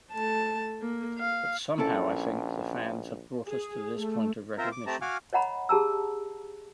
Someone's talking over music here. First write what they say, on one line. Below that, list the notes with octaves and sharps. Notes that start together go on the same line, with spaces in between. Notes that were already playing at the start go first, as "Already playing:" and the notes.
But somehow, I think, the fans have brought us to this point of recognition.
A3 A5
A#3
F5
A#1 C#4 E4 A4
G#4
A3
C4 F4 A#4 C5 E5 A#5
D6
A3 C4 G4 A5 A#5
F#4 F5 F#5 G#5 D6 F6
C#5 D#5 F#5 A#5 B5
G4 G#4 A5 A#5 E6